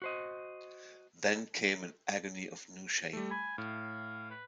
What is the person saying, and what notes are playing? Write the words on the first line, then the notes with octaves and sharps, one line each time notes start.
Then came an agony of new shame.
F#4 C5 D#5
G3 A3
G#5 B5
A2 F5
B4